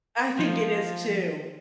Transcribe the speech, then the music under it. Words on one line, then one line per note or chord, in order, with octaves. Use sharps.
I think it is too.
F3